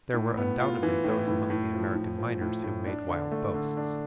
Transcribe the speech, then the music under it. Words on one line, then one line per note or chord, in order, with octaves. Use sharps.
There were undoubtedly those among the American miners who made wild boasts.
A2
B3
F4
E3
A2
A2
A2
F3
A2
F3
A2
A2
D4
D3
A3
D3
D4